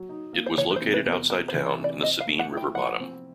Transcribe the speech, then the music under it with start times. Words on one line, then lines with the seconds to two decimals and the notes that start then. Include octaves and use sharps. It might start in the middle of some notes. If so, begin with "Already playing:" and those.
It was located outside town in the Sabine River bottom.
Already playing: F#3
0.09 D#4
0.33 A#3
0.46 C5
0.57 E3 C#5
0.71 B4
0.76 C5
0.82 C3
0.94 B4
1.06 E2
1.12 A#4
1.29 E2 A#4
1.48 C5
1.54 E3
1.66 C#5
1.79 C3
1.84 D5
2.03 C4 D#5
2.21 F5
2.27 A3
2.39 F#5
2.52 E4
2.57 G5
2.75 F3 F#5
3.00 C4